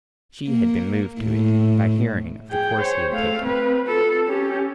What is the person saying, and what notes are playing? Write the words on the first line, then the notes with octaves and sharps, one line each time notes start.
She had been moved to it by hearing of the course he had taken.
A#3
A2
G#4 G5
C5 C#5
A3 F5
C4 B4
F4 A4
C#4 G4